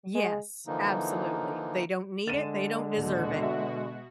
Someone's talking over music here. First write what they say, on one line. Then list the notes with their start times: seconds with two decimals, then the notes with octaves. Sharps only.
Yes, absolutely. They don't need it. They don't deserve it.
0.15 G#3
0.67 D3 E3 F3 A#3 D#4
2.28 D3 G#3 A6 D#7 E7
2.97 D#1 B2 F#4
3.43 E5